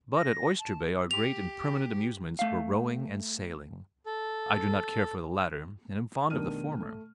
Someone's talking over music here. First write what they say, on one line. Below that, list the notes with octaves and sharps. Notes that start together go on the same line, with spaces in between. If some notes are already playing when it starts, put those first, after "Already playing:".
But at Oyster Bay our great and permanent amusements were rowing and sailing; I do not care for the latter, and am fond of the former.
A#6
A5
G4 F7
A3 F5
A4
F1 B2 D#3 D4 F6 D#7
A3